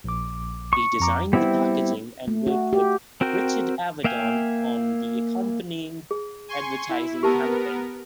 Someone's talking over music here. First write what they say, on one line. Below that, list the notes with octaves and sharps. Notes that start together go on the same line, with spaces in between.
He designed the packaging and worked with Richard Avedon on the accompanying advertising campaign.
A#1 D6
C#6
F2 A#5 D6
G3 B3 C4 E4
A3
F#4
G4
C4 F#4 A#4 G5
A#3 E5 F5 G5 G#5
G#4
G#5 C6 C#6
E4
B3 G4 A#4 A5 E6